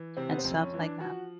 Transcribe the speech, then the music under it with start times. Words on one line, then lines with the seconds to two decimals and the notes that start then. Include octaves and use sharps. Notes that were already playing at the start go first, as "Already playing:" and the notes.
and stuff like that.
Already playing: E3
0.17 C3 C4
0.30 B3
0.38 C4
0.45 F2
0.60 C#4
0.74 E3
0.80 D4
1.00 F3 F#4